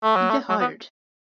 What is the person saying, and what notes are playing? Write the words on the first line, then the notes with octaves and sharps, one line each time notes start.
You get hired.
A3
F#3
A3
F#3
B3